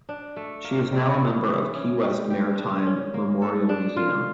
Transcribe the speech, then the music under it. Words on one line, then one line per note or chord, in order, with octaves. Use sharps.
She is now a member of Key West Maritime Memorial Museum.
D4
A3
A#3
G3
A#3
E3
C#4
G3
G4
D4
C#4
A#3
A4
D4
F4